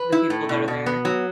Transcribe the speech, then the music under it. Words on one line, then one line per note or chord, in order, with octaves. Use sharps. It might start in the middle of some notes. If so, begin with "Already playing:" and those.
The people that are there.
Already playing: B4
E4
A2
B2
B2
B3
F#3